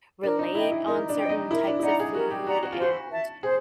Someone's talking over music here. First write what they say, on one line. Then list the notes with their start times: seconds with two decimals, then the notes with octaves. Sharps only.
relate on certain types of food, and
0.23 D4 A#4
0.39 D#4
0.55 E4 D#5 G5
0.72 E4
0.87 D#4 A#4
1.09 D4
1.19 D#5 G5
1.29 D#4
1.51 E4 A#4
1.67 D4
1.79 E4
1.83 D#4 D5 F#5 A#5
2.00 G#4
2.15 F#4 A#4
2.31 G4
2.46 F#4 D5 F#5 A#5
2.63 F#4
2.72 F4
2.78 F#4 C5
3.11 E5 A5
3.42 G#4 C5